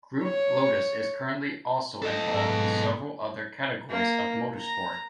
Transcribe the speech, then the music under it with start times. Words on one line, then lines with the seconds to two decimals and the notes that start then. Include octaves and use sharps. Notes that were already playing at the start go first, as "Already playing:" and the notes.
Group Lotus is currently also involved in several other categories of motorsport.
0.23 C#5
2.02 A4 D#5
2.18 A3
2.34 G#2 A#4 E5
2.49 G#2 B2 B3
3.90 A#3
4.58 A#5